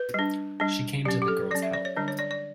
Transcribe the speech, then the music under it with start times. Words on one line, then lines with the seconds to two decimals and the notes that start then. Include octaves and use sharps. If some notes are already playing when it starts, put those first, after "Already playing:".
She came to the girl's help.
Already playing: B4
0.14 G3 D4
0.60 G3 D4
1.05 F#3 C#4 G4
1.22 G4
1.28 A4
1.51 F#3 D5
1.55 C#4
1.62 E5
1.73 D5
1.85 C#5
1.96 D3 G3 D4
2.08 C#5
2.19 D5
2.31 D5